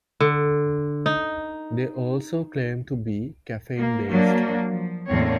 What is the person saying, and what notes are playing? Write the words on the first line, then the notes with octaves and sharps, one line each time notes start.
They also claimed to be "caffeine biased".
D3
D#4
A#3
F#3 A#3 D4
F3
E2 A2 D3 A#3 C4 C#5